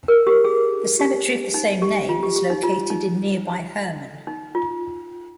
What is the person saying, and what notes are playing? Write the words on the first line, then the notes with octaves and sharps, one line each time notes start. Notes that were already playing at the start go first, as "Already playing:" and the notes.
The cemetery of the same name is located in nearby Herman.
A#4
G4
G#4
G4
D#4
G4
F4
G4
G4
D#4
F4
D#4
D#4
F4